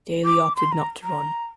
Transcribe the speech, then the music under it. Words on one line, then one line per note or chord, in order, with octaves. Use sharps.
Daley opted not to run.
D6
C6
A#5
A#5